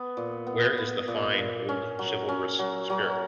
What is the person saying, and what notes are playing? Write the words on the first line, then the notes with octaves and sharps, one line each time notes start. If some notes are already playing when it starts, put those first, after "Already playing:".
Where is the fine, old, chivalrous spirit?
Already playing: B3
A#2
B3
B3
A#2
A#2
C#4
F#3
C#4
F#3
F#3